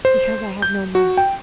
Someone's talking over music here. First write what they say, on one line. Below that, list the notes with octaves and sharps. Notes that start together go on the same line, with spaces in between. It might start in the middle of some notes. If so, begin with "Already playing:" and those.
"Because I have no money."
C5
G6
F#4
G5